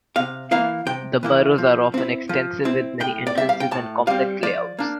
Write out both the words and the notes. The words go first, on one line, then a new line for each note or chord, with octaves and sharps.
The burrows are often extensive with many entrances and complex layouts.
C3 F5
E3 A#3 E4 F5
C3 G5
E3 A#3 E4
F3
C4 E4
F3
C4 E4
A2 G5
D5
G3 C4 E5
F5
G5
A2 A5
G3 C4 F5
F3 D5
A#3 D4